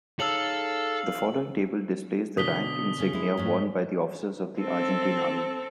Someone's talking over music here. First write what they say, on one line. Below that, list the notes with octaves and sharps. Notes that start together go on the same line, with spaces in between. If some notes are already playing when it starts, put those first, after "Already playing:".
The following table displays the rank insignia worn by officers of the Argentine Army.
D#4 G#4 A4 C#5 F5 E6 F#7
B2 D3 D#6 B6 G7
C#3
G#3 E4
G#2 A3 C#4
C4 A4